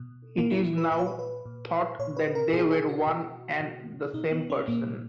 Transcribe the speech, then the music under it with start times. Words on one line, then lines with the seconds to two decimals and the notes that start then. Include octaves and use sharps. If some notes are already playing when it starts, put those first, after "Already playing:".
It is now thought that they were one and the same person.
Already playing: B2
0.38 A#2 A#3
0.51 E4
0.64 E4
0.78 B4
0.91 A#2 B4
0.99 C#5
1.07 B4
1.19 B4
1.46 A#2
1.99 A#2 C#5
2.17 B4
2.35 A#4
2.53 B2 G#4
2.71 G#4
2.89 F#4
3.07 B2
3.60 B2
4.14 B2 D#4
4.31 B3
4.50 C#4
4.68 A#2 A#3